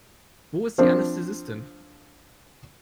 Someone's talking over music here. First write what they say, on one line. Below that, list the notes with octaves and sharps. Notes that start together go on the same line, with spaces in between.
Wo ist die Anästhesistin?
F3 C4 D4